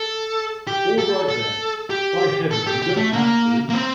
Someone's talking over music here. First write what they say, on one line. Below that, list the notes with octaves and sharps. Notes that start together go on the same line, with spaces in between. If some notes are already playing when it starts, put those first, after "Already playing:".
All right, then; by Heaven, you don't have to!
Already playing: A4
G4
A4
A4
G4
A4
G4
G4
A3
A#3
A#3
C4